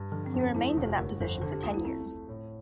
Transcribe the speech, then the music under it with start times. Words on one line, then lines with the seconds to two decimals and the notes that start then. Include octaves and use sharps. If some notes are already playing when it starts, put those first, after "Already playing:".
He remained in that position for ten years.
Already playing: G2
0.12 D3 F3
0.26 C4
0.34 F2
0.41 C4
0.55 A3 E4
0.70 F4
0.77 F1
0.84 G4
0.98 G1 A#4
1.20 F2 A4
1.42 D3 A4
1.52 G4
1.63 D2 F4
1.74 E4
1.85 A3 C4
2.06 A3
2.29 A2